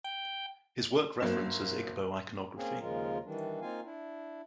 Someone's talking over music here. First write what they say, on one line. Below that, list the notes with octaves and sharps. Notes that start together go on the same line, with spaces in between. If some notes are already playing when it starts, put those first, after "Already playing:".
His work references Igbo iconography.
G5
G1 F#3 A#3 C4 E7
A#3 C4 C#4 G#4
D#2 C#3 F3 G#3 F4 A#4
D#3 E3 G3 D4
A#3 C4 D#4 F4 F5 G#5
D4 E4